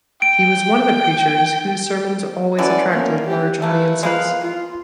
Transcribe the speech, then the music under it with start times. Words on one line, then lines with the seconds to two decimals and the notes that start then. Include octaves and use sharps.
He was one of the preachers whose sermons always attracted large audiences.
0.22 G5 D7
2.58 D3 E3 F#3 C#4 D5
2.91 A#3 C#4
3.26 G4
3.62 A3 A#3 B4
4.03 G#3 A#3 B4 F5
4.42 F4